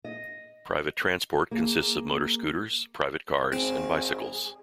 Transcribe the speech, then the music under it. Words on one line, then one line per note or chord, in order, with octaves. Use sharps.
Private transport consists of motor scooters, private cars, and bicycles.
D#5
A#3 G#4
G#1 C4 G#4